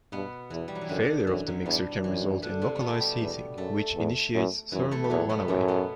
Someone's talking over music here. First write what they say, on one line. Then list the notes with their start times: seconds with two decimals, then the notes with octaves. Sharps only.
Failure of the mixer can result in localized heating, which initiates thermal runaway.
0.12 G2 B2 B3
0.50 E2 E3
0.68 G3
0.75 F#3
0.81 E3
0.89 F#2 D3
1.27 F#2 E3
1.47 F#2 F#3
1.65 E2 G2 G3
2.03 F#2 E3
2.42 D3 D4
2.62 C3 C4
2.76 B2 A3 B3
2.99 G3 G4
3.19 E2
3.57 F#2 A3 A4
3.96 E2
4.35 F#2
4.72 F#2 E3 E4
4.91 A3 A4
5.04 G4
5.10 E2 F#3 F#4
5.29 B2 B3
5.48 F#2 A2 A3
5.68 B2 B3